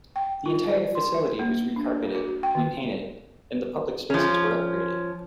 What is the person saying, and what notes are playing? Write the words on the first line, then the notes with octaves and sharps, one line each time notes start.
The entire facility was re-carpeted, repainted and the public spaces were upgraded.
G5
F4
D5
C6
E5
A#3
D4
F#4
G5
D#3
F3 C#4